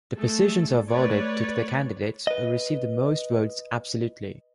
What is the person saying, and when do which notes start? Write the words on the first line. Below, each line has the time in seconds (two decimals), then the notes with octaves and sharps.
The positions are awarded to the candidates who receive the most votes absolutely.
0.16 A3 G#4 A4
0.88 A3 B4 C#5 D5
2.27 B4 D#5